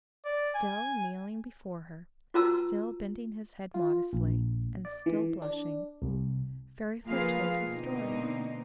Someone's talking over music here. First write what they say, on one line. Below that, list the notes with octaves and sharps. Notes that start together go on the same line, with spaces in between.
Still kneeling before her, still bending his head modestly, and still blushing, Fairyfoot told his story.
D5
G#5
F4 F#4 B4 A5 A#5 E6
F4
A#1
D5
E3
D4
C2
F3 A#3 F4 G#4 B4 F5
B2 D3 A#3 C4 D#4